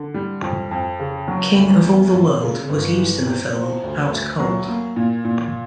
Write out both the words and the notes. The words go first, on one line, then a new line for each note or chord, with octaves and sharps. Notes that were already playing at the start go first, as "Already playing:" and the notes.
"King of All the World" was used in the film "Out Cold".
Already playing: D3
G3
F2
F2
C#3
F#3
D2
B3
F#2
C#3
G1
E3
C3
F3
D2
D2
F#3
A#3
A#2
A#2